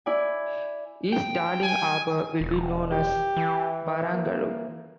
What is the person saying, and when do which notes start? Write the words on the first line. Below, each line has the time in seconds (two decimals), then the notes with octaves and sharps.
East Darling Harbour will be known as Barangaroo.
0.06 E4 D5 G#5
1.12 G5
1.63 G#5
2.40 E1
2.91 G4
3.37 E3
4.13 A#3